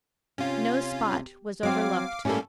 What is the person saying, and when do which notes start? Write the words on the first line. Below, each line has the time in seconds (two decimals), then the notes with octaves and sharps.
No spot was overlooked.
0.38 C3 C#4 F4
1.63 F#3 C4 F5 D6
2.25 A2 G3 A#3 C#4 A4